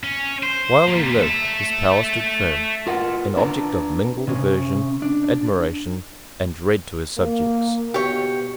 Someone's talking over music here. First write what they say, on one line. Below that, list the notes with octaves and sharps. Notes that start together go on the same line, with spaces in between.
While he lived his power stood firm, an object of mingled aversion, admiration, and dread to his subjects.
C#4
C5
G3 A#3
A4 E5
F4 A#4 B4 F#5
D4 B4 A5 A#5
C3 C#4
D4
A#3
B2 G4 C#5